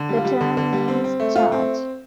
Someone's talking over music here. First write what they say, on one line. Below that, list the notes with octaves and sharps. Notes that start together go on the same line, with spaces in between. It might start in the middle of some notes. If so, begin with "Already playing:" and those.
The term means charge.
Already playing: D3
G3
F4
G3
D3
D3
G3
C4
C4
A3
A3 F4
C4